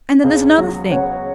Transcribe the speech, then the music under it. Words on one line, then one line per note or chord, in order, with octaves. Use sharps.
And then there's another thing.
C#2 G#4
F#3 F#4
C#3 C#5 F#5